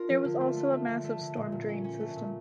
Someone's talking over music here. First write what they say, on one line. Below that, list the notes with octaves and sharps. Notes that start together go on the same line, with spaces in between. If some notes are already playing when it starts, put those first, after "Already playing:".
There was also a massive storm drain system.
Already playing: D4 F4 A#4
F3
D3
A3
A3
A3
D3
A3
D3
A#2
A#2
C#4
C#4
A3
A#2